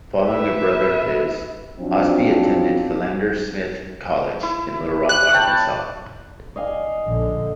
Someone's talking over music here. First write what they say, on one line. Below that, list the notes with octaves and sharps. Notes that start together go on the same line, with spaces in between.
Following a brother of his, Ausbie attended Philander Smith College in Little Rock, Arkansas.
B4 E5
F3 F#3 C4 D4 D#4
E4
F#6
C#5 G5 A5
D#5 F5 G#5
A#1 D3